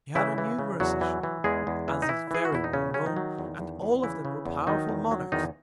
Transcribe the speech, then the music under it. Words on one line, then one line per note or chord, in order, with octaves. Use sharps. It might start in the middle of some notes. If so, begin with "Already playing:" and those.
He had a numerous Issue, as is very well known, and all of them were powerful Monarchs.
C#3 E3 E4
E3
C#3
E2 F#3 F#4
E3
E3
E2 G#3 G#4
E2
E3
D#4
E3 E4
E3 G#4
F#4
E2 E4
D#4
C#3 C#4
F#3 C#4
D#3 D#4
F#3
E2
E2
E2
C#3 E3 E4
C#3
E2
D#3 F#3 D#4
E2
F#3
E2 D#3 D#4